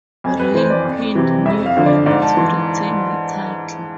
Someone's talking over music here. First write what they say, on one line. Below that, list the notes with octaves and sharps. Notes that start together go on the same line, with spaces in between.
Ray pinned Niven to retain the title.
F2 G#5
B4
E3 C5
D5
F2
C3 E3
F2 E5
F5
D3 F3
D5
G#2 D5
A5
E3 C6